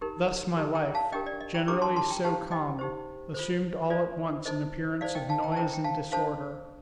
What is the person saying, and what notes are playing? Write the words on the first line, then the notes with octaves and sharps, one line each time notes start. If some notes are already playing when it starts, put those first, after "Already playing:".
Thus my life, generally so calm, assumed all at once an appearance of noise and disorder.
D#4 G4 A#4
D#4 G4 A#4
G5 A#5
F5 A5
D4 G4 A#4 D#5 G5
D5
D#5
G5 A#5
D4 G4 A#4 A#5 D6
A5 C6
A5 C6
G5 A#5
D#4 G4 C5 F5 A5
D#5 G5
D#4 G4 C5
F4 A4 C5
F4 A4 C5 D5
D#4 A4 C5 D#5
D#4 A4 C5 D5 F5
D#5 G5
F5 A5
G5 A#5
A5
D4 A4 C5 G5 A#5
G5
F5 A5
D4 A4 C5 F5 A5